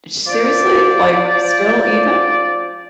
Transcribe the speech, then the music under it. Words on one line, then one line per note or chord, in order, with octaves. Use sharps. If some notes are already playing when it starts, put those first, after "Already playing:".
seriously? Like, still even?
F3 F4 C5 D5